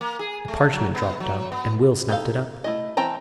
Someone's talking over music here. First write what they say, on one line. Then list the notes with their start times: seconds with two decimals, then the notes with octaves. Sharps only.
A parchment dropped out and Will snapped it up.
0.01 A#3
0.19 G#4
0.48 A3
0.73 F#3
0.95 B3
1.20 F#3
1.52 B3
2.09 D#4 G4 A4 F5
2.64 A3 E4 D#5
2.97 E3 C4 G5 A5 A#5